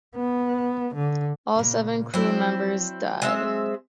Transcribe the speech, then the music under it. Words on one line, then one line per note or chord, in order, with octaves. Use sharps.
All seven crew members died.
B3
D3
A#2 C#3
F#3 C4 E4 D5
G#3 C4 E5